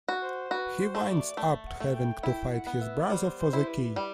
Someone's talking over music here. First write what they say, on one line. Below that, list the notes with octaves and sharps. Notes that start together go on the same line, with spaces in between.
He winds up having to fight his brother for the key.
F#4
C5
F#4 B4
C5
A3
D5
A3
F#5
A3
G5
E4 G5
F#5
B3
E5
G3 C5
C5
E4
B4
G3